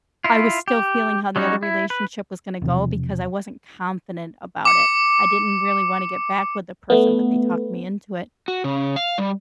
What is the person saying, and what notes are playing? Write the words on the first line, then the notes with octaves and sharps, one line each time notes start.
I was still feeling how the other relationship was gonna go because I wasn't confident about it. I didn't really wanna get back with the person, but they talked me into it.
E4 F4
G4
F#3 G3 C#4 D#4 F#4
E4
B4
E1 C3 F3
D6 C#7
A3 B3
F#4
C#3
F5
G3